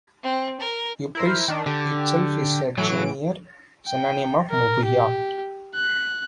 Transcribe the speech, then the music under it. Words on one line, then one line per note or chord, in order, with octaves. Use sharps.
"Euprepis" itself is a junior synonym of "Mabuya".
C4
A#4
E4 A#4 C5
D#3 D4
D3 G4
A2 E3 F#3 D7
G5
A#4
G4
F#6